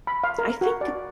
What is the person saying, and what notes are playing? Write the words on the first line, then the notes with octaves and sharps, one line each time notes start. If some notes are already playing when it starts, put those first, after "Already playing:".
I think,
B5
F5
A#4
F#4
D5